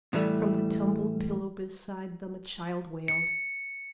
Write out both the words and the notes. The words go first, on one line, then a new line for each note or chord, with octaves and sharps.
From the tumbled pillow beside them a child wailed.
A2 E3 G3 A3
C#7